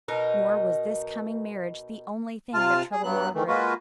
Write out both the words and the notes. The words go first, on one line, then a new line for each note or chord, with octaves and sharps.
Nor was this coming marriage the only thing that troubled Margaret.
B2 D#4 A#4
C3 F4 A5 F6
G#4
G2 F#3 B3 F#6
D#3 E3 A3
G#3 A#3 F4 F#4 B4